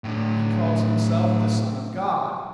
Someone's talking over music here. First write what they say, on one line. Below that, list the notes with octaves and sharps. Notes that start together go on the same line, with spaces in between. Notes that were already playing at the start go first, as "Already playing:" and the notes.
He calls himself the son of God.
A2 D4